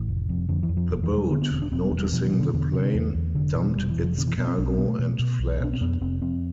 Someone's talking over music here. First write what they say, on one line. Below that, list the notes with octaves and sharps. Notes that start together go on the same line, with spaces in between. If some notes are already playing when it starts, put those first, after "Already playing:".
The boat, noticing the plane, dumped its cargo and fled.
Already playing: A1 E3
F1
F2
F2 D3
E3
F2
F3
E1
E3
E1
G3
D3 B3
B3
E1 C4
D4
E1 C4
B3
E2
G3
B2 F3
E3
B2
D3
E2 D3
C3
E2
E2
F1 D3
B2 E3
F1 G3
E3
F1
F3
B2 D3
E3
B2 B3
C4
B1 D4
C4
B2 B3
A3
B2
B2
B1
B2 D4
C4
F2 B3
F1 C4
F2 C4